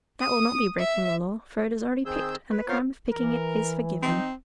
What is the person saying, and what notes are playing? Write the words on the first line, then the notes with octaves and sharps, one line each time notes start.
"That will not be breaking the Law, for it is already picked, and the crime of picking it is forgiven."
D#6
E5
D#3 C4 G#4 E6 G6
B4
B3 F4 A#4 C5 C#5 F5
E3 A#4
C4 D#4